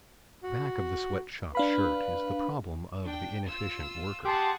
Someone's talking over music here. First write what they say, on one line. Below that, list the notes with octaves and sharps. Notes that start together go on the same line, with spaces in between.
Back of the sweat-shop shirt is the problem of the inefficient worker.
F#4
D4 B4 F5 B5
D4 G5
F4 E6
G4 G#4 F#5 A5 C6